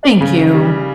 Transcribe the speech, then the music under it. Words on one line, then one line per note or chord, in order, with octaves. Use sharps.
Thank you.
C#3
G3